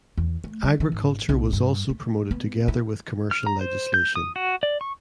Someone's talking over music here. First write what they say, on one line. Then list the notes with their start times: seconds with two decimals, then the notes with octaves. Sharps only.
Agriculture was also promoted together with commercial legislation.
0.18 E2
0.44 A3
0.63 G3
0.80 E3
0.92 G#1
1.29 B1
1.53 G2
1.90 A3
2.31 B3
2.68 E4
3.31 F6
3.47 A#5
3.61 C5
3.94 G6
4.16 D#6
4.36 F#4
4.63 D5
4.81 C#6